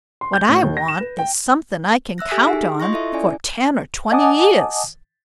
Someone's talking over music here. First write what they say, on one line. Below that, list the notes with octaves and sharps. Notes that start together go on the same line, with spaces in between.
What I want is something I can count on for ten or twenty years.
C6
G6
A2
D#2
A#6
E7
B4
G5
E5 E6 F#6 A#6
G4 A4 E5 G#5 B6
D#4 G#4
F4 D#5 C6 C#6 A#6
E4 A4 E5
C#4 E4 D5 G#5
D#5 F#5 G#5 A5 D6 D#6